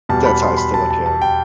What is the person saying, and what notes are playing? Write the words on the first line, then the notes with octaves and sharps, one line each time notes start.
that's how I still look at it.
E2 B2 G3 A5
B5
C6
B5
A5
A5
A5
G5